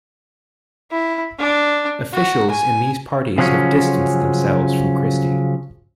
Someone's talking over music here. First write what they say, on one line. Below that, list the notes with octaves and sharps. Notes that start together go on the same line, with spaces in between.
Officials in these parties have distanced themselves from Christie.
E4
D4
F#4
G#5
C#3 F3 F#3 A3 C#4